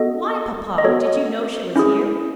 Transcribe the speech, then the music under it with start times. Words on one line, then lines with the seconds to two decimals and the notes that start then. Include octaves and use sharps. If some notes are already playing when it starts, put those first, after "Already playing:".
"Why, papa; did you know she was here?"
Already playing: B3 F#4 A4 D#5
0.78 D#5
0.84 B3 F#4 A4 C#5
1.76 C#4 E4 G#4